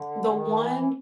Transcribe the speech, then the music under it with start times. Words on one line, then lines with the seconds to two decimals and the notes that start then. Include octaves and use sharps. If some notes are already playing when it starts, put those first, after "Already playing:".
the one
Already playing: D3
0.38 D#3
0.63 E3
0.80 E3